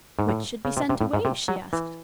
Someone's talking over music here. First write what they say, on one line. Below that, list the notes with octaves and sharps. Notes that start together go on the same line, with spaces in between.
"Which should be sent away?" she asked.
G#2
A2
C#3
C3
C3
A2
G#2
C3
F#3
E3